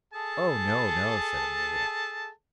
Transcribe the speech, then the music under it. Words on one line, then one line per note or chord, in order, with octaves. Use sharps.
'Oh no! no!' said Amelia.
G#4 A4 A5